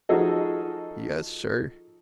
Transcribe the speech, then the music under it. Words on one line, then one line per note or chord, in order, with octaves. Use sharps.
"Yes, sir."
F3 D#4 F#4 G#4 A4 D#5